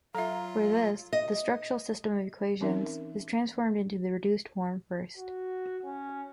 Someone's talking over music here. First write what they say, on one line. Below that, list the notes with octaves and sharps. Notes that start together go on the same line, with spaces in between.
For this, the structural system of equations is transformed into the reduced form first.
F#3 F4 A4 E5 F5 A#5
D#5
E3 C4 C#4 D#4 A#4 E5
F#4
C#4